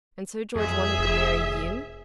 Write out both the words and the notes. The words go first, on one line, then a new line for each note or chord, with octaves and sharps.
And so George wanted to marry you!
F2 G#4 E5
F1